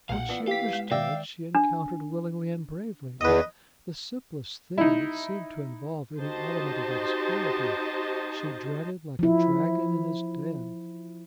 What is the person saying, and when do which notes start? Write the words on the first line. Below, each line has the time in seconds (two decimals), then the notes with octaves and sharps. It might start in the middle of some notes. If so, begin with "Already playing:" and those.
What she understood, she encountered willingly and bravely; but, the simplest thing that seemed to involve any element of obscurity, she dreaded like a dragon in his den.
0.09 B1 A#2 F5 F#5
0.29 E3 B3 F4 D5
0.48 G4 F5 B6
0.73 G#3
0.91 D#3 D5 E5 F5 G5
1.55 D4
3.21 E2 B4 D#5
4.78 D#4 E4
6.19 D#4 F#4 G4 C5 D#5 A5
9.19 F3 E4